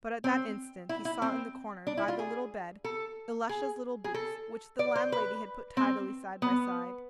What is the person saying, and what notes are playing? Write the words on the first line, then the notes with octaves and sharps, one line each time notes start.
But at that instant he saw in the corner, by the little bed, Ilusha's little boots, which the landlady had put tidily side by side.
C4
E4
E4
C4
D4
E4
F4
G#4
A4
G#4
G#4
A4
D5
C5
B4
C4
B3